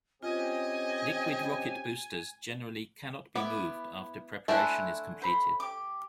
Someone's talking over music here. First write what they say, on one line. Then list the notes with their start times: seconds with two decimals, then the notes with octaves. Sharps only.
Liquid rocket boosters generally cannot be moved after preparation is completed.
0.23 C4 C#4 F4 G4 D#5 G#5
3.35 B3 E4 D6
4.48 A3 D4 E4 C5 F#5 G#5
5.22 C5 B5
5.60 G4 D6